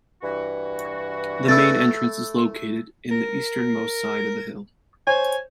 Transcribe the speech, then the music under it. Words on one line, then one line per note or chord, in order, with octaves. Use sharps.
The main entrance is located in the easternmost side of the hill.
G2 E3 F#4
A3 E4 E6 A6
A#4
C5 C#5 G#5